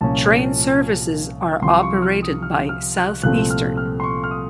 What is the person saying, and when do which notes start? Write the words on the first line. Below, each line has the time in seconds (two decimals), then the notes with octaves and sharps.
Train services are operated by Southeastern.
0.01 C2 A#2 F3 A#3 C#4 A5
1.62 C2 C3 F3 C6
1.83 C#6
2.02 F6
2.23 D#6
2.42 F6
2.69 F6
2.97 F#6
3.23 C2 A#2 F3 A3 C4 F#6
3.50 F6
3.77 F6
4.00 C6
4.04 C#6
4.24 F6
4.31 D#6